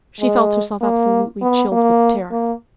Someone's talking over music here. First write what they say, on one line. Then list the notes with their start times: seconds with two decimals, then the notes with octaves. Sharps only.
She felt herself absolutely chilled with terror.
0.21 G#3
0.81 A#3
1.42 B3
1.72 A#3
2.32 A#3